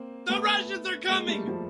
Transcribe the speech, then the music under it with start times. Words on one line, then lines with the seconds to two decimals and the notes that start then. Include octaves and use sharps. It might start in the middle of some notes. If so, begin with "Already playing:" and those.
The Russians Are Coming!
Already playing: A#3 C4
0.29 A3 B3
1.08 G#3 A#3
1.28 G3 A3
1.47 F3 G3